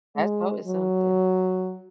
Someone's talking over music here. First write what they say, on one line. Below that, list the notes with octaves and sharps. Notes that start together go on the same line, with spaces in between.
that's always something.
G#3
F#3